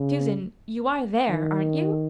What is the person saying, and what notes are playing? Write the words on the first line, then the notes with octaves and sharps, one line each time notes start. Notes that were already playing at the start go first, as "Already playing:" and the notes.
"Susan, you are there, aren't you?"
Already playing: C#3
D#3